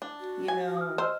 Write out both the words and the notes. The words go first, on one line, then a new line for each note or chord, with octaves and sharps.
You know,
D4
F#4
G#5
D#6 F6
C5 D#5 E6 F6